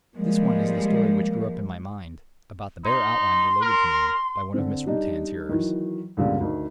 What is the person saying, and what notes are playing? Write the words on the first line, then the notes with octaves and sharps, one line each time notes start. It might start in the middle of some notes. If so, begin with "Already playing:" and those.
This one is the story which grew up in my mind, about the bare outline related to me by one of Mrs Rutan's hearers.
F3 G3 G#3 A#3
D#4 C6
A#4
D3 C4
G3 D4 D#4
D#3 E3 F#3
C#2 G2 A#2 D3 B3
D2 D#3